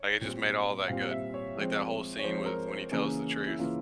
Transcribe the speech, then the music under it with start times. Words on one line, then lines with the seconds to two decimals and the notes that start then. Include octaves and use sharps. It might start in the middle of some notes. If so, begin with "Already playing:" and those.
like, it just made all that good. Like that whole scene with when he tells the truth
Already playing: C#5
0.21 A#2 G3 C4
0.88 A#2 G3 C4 F5
1.11 E5
1.34 C#5
1.56 F3 G#3 C4
2.19 C#5
2.24 F3 G#3 C4 C5
2.46 A#4
2.69 C5
2.91 C#3 E3 A#3 C#4 G#4
3.47 E4
3.59 C#3 E3 A#3 C#4 F4